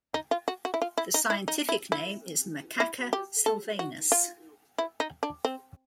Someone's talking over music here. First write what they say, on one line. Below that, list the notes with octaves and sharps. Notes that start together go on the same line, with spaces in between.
The scientific name is "Macaca sylvanus".
D#4
F4
F#4
F#4
E4
F4
E4
D#4
E4
D#4
E4
E4
E4
G4
A4
F#4
F4
E4
D#4
D4
C4